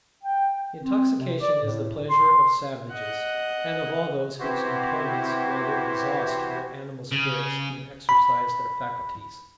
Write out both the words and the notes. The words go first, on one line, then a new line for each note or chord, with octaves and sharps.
Intoxication is the pleasure of savages, and of all those whose employments rather exhaust their animal spirits than exercise their faculties.
G5
C4
C3
D5
A2
C6
D#5 F#5
C3 E3 E4 F#4 G4 C5
C#3
B5